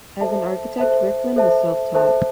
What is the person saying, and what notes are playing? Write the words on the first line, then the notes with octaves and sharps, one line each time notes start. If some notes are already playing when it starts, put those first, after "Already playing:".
As an architect, Rickman was self-taught.
A4 C5 E5 A5
A4 C5 E5 A5
A4 C5 E5 A5
A4 C5 E5 A5